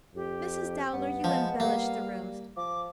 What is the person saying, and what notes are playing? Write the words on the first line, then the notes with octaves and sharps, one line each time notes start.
Mrs. Dowler, you embellish the rooms.
F2 G4
G2 B3
F3 G#3 A5
G3 A#3 F5
F3 D6